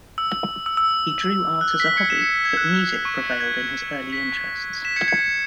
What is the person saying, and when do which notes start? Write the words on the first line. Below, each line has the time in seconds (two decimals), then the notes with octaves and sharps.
He drew art as a hobby, but music prevailed in his early interests.
0.18 E6
0.66 E6
0.77 E6
1.61 F#6
1.80 B6
1.97 G#6 C#7
2.09 B6 E7
2.21 G#6 C#7
2.33 B6
2.45 G#6
2.57 F#6
2.69 E6
3.05 C#6
3.17 E6
3.30 F#6
3.40 G#6
4.13 B6
4.85 B6 E7
4.96 G#6 C#7
5.08 G#6 C#7